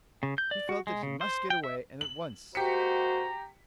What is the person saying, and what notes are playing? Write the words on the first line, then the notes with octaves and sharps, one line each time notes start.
He felt that he must get away, and at once.
C#3
G6
D5
F#4
G#3
C#3
C5
G5
E5
F#7
G#3 A#3 F#4 G4 C5 A#5 B6 C#7